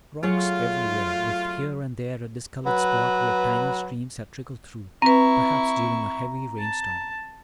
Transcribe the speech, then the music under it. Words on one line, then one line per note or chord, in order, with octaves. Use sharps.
Rocks everywhere, with here and there a discolored spot where tiny streams had trickled through, perhaps during a heavy rainstorm.
F#3 A3 F4 G#4 C#5
F#3 B4
C4 E4 B4 A#5 C#6
A5